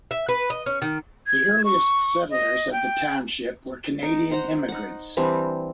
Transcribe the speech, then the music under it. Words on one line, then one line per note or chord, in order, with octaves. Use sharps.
The earliest settlers of the township were Canadian immigrants.
E5
B4
D#5
C#4
D#3
G#6
C#6
D#5
G5
D#4
C5 F#5 A#5
D#4 F#5
E3 G3 C4 D4